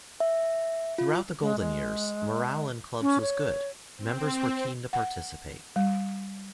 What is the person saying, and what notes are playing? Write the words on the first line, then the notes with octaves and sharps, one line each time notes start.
Throughout the golden years morale in clubs was good, members were keen to participate.
E5
F4
G#3
G#3
C#4
C#5
C4
F#5
G3